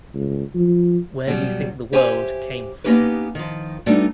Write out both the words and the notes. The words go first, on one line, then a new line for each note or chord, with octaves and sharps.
Where do you think the world came from?
C#2
F3
B2 F#3 G3 C#4
G4 C5 C#5 E5 F5 G#5
A#3 B3 C#4 D#4 G4 B4
D#3 F3
G3 A3 B3 D4 D#4 F#4